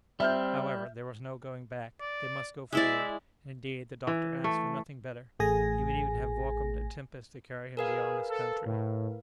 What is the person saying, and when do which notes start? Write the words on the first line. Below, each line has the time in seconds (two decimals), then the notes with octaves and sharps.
However, there was no going back; they must go forward; and, indeed, the doctor asked for nothing better; he would even have welcomed a tempest to carry him beyond this country.
0.20 G3 C4 E5 F6 G6
2.00 D5
2.73 G#3 E4 D5 E5
4.07 E3
4.44 A3
5.39 A1 A3 G#4 G#5 A#6
7.77 G#4 A#4 B4 F5
8.29 A4
8.65 A2